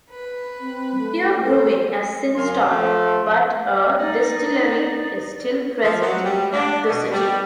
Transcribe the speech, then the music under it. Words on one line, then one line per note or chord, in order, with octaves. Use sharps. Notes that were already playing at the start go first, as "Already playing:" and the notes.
Beer brewing has since stopped, but a distillery is still present in the city.
B4
C4
A3
A4 C5
F#2 C#3 F5 G#5 C6
F3 A3
D#4 D5
F3
F#3
G3
D4
B2
G3